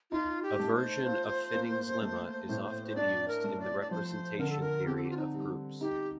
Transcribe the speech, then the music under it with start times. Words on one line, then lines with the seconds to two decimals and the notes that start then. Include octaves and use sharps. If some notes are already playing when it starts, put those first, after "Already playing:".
A version of Fitting's lemma is often used in the representation theory of groups.
0.11 D#4 F4
0.43 G4
0.59 A3
0.75 C5
1.06 F4
1.54 A#3
2.02 A3
2.49 A2
2.88 C5
2.96 D4 D5
3.28 A#4
3.44 A3
3.60 D5
3.81 D5
3.91 F3 C5
4.39 D3 A#4
4.50 A4
4.61 A#4
4.86 C4 G4
4.96 A4
5.03 G4
5.10 F4
5.17 D#4
5.34 G3
5.81 D#4 G4